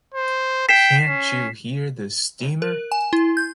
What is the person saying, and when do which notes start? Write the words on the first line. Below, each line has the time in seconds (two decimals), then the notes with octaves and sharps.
Can’t You Hear the Steamer?
0.15 C5
0.69 G5 B6 C7 E7
1.07 C#4
2.62 A#4
2.92 G#5
3.13 E4
3.37 G6